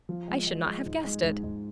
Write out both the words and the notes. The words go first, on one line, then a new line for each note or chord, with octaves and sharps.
I should not have guessed it.
F3
G#3
G#3
G#3
G#2
G#3
G#2
G#2